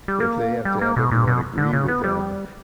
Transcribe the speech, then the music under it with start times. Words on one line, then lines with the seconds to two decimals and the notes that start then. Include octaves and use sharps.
If they have to have everyone agree with them
0.08 G3
0.20 A#3
0.65 G3
0.81 A#3
0.96 B2
1.11 A#2
1.27 B2
1.58 D3
1.73 C#3
1.88 B3
2.04 G3